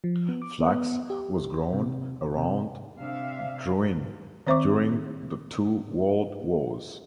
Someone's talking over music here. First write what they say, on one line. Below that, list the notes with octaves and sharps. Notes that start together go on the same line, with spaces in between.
Flax was grown around Drouin during the two world wars.
F3
B3
D6
B3
G4
C3
C3
C3 D4 E5 F5
D#3 C4 C5 E5 C#6 D6